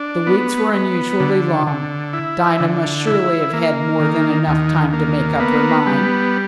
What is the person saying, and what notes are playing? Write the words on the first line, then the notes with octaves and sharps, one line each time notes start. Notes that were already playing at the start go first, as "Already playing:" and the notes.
The weeks were unusually long: Dinah must surely have had more than enough time to make up her mind.
Already playing: D4
B3
B3
D3
D3
E4
D3
E4
A#3
D#3
D#2
A#3
B3
G3